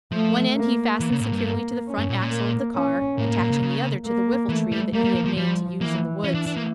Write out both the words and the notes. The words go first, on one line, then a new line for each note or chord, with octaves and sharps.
One end he fastened securely to the front axle of the car, attaching the other to the whiffletree that he had made to use in the woods.
F3 A3
A#3
E3 A#3
C#3
A2
G2
A#3
C#4
G2
A#2
A#2
A#3
C#4
A2 A#3
A2
A#2
C#3
C#3
A#3
E3 A3
G3
G3 A#3
G3
F3
F3
F3 G3
E3 A#3
E3 C#4
D4
D4
A#3